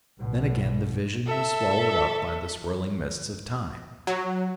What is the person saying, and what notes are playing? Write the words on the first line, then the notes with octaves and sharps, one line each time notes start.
Then again the vision was swallowed up by the swirling mists of time.
B1 B2
A4 E5
F#3